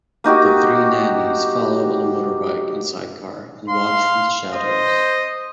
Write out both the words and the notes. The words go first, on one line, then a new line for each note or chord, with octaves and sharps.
The three nannies follow on a motorbike and sidecar and watch from the shadows.
A#3 D#4 F#4 G4
F5 C6
C5 D#5